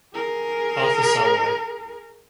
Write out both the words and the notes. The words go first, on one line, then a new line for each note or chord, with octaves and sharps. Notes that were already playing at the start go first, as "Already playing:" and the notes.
Arthur Salwey.
G#4 A#4